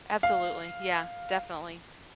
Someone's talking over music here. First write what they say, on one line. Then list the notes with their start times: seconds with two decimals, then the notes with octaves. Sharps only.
Absolutely, yeah, definitely.
0.23 F5